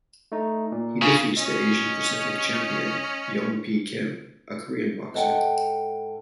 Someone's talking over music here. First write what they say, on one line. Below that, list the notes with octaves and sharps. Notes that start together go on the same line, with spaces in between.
He defeats the Asian-Pacific Champion, Yongpi Kim, a Korean boxer.
A3 D#4
A#2
C#3
C#4 D#5
G#2 A4 F#5 G5